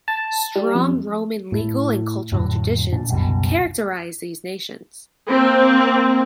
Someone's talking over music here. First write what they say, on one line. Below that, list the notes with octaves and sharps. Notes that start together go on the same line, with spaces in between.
Strong Roman legal and cultural traditions characterize these nations.
A5
G3
F2
A2
F2 A2 D3 F#3
A#2 D4
F#1 C2 F#2 B2
A#3 C4